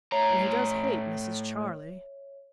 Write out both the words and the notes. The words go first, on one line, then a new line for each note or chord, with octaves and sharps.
And he does hate Mrs. Charley.
A2 C#5 E5 A#5